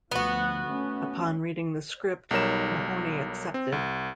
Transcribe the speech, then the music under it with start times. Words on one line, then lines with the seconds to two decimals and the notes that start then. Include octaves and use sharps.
Upon reading the script, Mahoney accepted.
0.11 D2 F3 B3 F#4
0.67 A3 C#4
2.31 B1 G3 D#4 A#4 C#5 E7
3.54 C4
3.72 C2